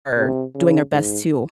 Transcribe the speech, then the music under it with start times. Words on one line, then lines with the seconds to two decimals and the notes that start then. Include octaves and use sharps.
are doing their best to
0.17 C3
0.54 C#3
0.92 G#2